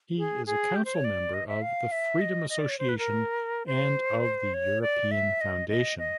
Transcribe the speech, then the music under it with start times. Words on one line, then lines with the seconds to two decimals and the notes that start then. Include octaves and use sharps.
He is a council member of The Freedom Association and of the European Foundation.
0.18 G#4
0.46 G#4
0.76 G4
0.85 C5
0.94 C#5
1.04 D5
1.34 D#5
1.47 E5
1.62 F5
1.92 E5
2.21 D#5
2.50 D#5
2.59 D5
2.69 C#5
2.79 C5
2.89 B4
2.98 A#4
3.66 C5
4.54 C#5
4.82 D5
5.11 E5
5.41 D#5
5.69 D#5
5.98 D#5